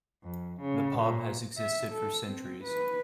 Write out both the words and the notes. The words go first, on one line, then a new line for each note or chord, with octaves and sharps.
The pub has existed for centuries.
F2
C#3
A#2
E5
A4
C4
B4